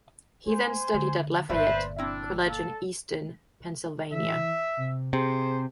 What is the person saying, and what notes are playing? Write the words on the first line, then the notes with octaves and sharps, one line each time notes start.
He then studied at Lafayette College in Easton, Pennsylvania.
C4 C5 G#5
D3
G1 A#2 A3 B4 C5 D5 E5
C4 D4 E4
A#3 A4
E3 E5
C3
C3 G#4 C5